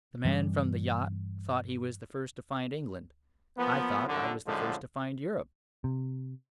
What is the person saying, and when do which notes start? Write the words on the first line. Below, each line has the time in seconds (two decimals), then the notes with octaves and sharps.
The man from the yacht thought he was the first to find England; I thought I was the first to find Europe.
0.25 G2 E3 G3 C#4
3.57 F3 A#3 B3
4.07 C2 F#2 D3
4.47 F#2 A2 D3 F3 G#3
5.84 C3